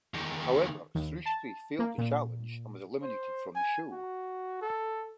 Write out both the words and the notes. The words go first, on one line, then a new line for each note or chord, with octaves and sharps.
However Srushti failed the challenge and was eliminated from the show.
E2 D#3
D#2
A5
A#3
A#2
C5
G#5
F#4
A4